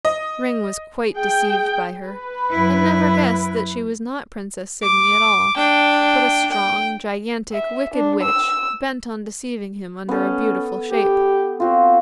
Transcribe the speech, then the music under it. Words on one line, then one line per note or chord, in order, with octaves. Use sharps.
Ring was quite deceived by her, and never guessed that she was not Princess Signy at all, but a strong, gigantic, wicked witch bent on deceiving him under a beautiful shape.
D#5
G#4 G5
B4
F#2 E4
D6
D4 G5
G5
E5
D4
E6
B3 C#4 A4
G4
C4 F4 F#4